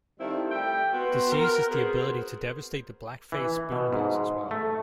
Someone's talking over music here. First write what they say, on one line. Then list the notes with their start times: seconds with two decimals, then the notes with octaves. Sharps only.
Disease has the ability to devastate the black-face spoonbills as well.
0.19 D#3 G3 C4 E4 F4 A4
0.50 G3 A3 E5 G5
0.94 B3 F#4 C6
1.32 A#4
1.70 B3 C4 F#4 G#4 C5
3.32 E3
3.72 B2
3.93 G#2
4.51 A3